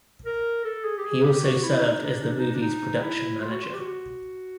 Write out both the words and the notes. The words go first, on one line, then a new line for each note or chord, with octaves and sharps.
He also served as the movie's production manager.
A#4
A4
G#4
G4
G#4
G4
F#4
E4
D#4
D4
D#4
D4
D#4
D4
D#4
E4
F4
F#4
F4
G4
F#4